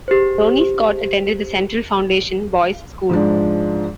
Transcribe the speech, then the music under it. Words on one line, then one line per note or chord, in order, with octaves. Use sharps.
Ronnie Scott attended the Central Foundation Boys' School.
G4 G#4 C5
G#2 F3 G#3 D4